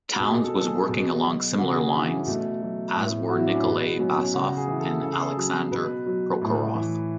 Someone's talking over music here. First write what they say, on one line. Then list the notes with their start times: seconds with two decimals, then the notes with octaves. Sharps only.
Townes was working along similar lines, as were Nikolay Basov and Aleksandr Prokhorov.
0.13 F#4
0.20 B2 G#4
0.44 A4
0.54 F#3
0.60 A4
0.66 G#4
0.89 B2
1.23 F#3
1.58 C#3 F#4
1.75 G#4
1.93 E3 D4
2.10 C#4
2.26 B2 A3
2.62 F#3
2.95 A2
3.28 F#3 F#4
3.38 E4
3.47 D4
3.55 C#4
3.65 B2 B3
3.99 F#3 C#4
4.17 C#4
4.34 C#3 F#4
4.57 G#4
4.68 E3
4.79 A4
5.02 C#3 A4
5.12 G#4
5.21 A4
5.37 F#3
5.71 B2 B4
6.07 F#3
6.41 A2
6.75 E3